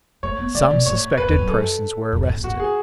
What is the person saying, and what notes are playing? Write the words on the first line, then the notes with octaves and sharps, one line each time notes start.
Some suspected persons were arrested.
A3 C#5
B3
A3 D5
B2
A2 C#5
F#2 B4
E2
F#2
A4
F#2
F#2
G#2
G#2 F#4
F#2
G#4